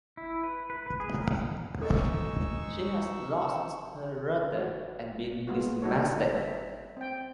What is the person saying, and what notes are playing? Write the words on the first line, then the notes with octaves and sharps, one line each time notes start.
She had lost her rudder and been dismasted.
E4
B4
B4
B4
G#4
A#4
G#3 D#4 A4 D#5 C#6 E6
F#4
G#3 A#3 B3 F4 F#4
G3 D#4 F#4 A4 C#5
E5
C4 G5